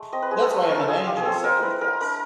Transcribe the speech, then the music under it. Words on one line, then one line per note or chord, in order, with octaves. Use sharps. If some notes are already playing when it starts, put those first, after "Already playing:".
That's why I'm an angel Second Class.
Already playing: G#3 A3
C4 D#5
B4
G#3 G#4
A4
A3
B4
C#4 A#4
A4
F4 G#4
F4 G4
G#4
C4 A4
G#3 A#4
E4 B4
G#3 A#4
D4 A#4